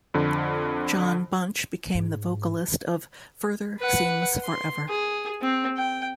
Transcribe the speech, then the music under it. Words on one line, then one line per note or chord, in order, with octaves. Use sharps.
Jon Bunch became the vocalist of Further Seems Forever.
F2 D3
G#2
B4 F#5
C6
G#4
C4
G5